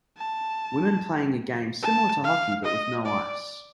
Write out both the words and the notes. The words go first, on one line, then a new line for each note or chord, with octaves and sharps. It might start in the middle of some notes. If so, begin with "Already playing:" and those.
Women playing a game similar to hockey, but with no ice.
A5
A5
F5
D#5
D5